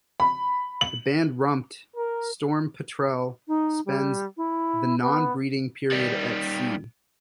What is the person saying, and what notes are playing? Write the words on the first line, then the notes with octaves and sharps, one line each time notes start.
The band-rumped storm petrel spends the non-breeding period at sea.
B5
F#7
A#4
D#4
G3
E4
B3
D#3 G3